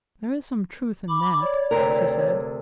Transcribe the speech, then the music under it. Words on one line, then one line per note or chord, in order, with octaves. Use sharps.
"There is some truth in that," she said.
B5 D6
C#5 D5
D2 C3 A#4